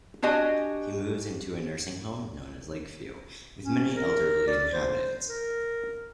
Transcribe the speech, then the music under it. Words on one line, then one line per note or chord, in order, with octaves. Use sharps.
He moves into a nursing home known as Lakeview, with many elderly inhabitants.
D4 F#4 G4 D#5 G#5
C#4
A#4
D5
C5
A#4